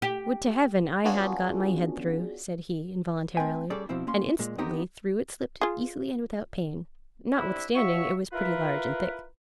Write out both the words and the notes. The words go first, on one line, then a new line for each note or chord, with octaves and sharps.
"Would to Heaven I had got my head through!" said he, involuntarily; and instantly through it slipped, easily and without pain, notwithstanding it was pretty large and thick.
G4
B3 C#4 D4 F4 F#4 G#4
A3 C4 B4 G5 G#5
G3 C#4 G#4 A4 D5
B2 F3 C4 E4
A#3 C#4 C6
A#2 G#3
B3 C4 D#4 G4 A#4
F4 G#4
G3 C4 D4 E4
F4 F#4 C#5 E5 C#6
E4 F4 A#4 B4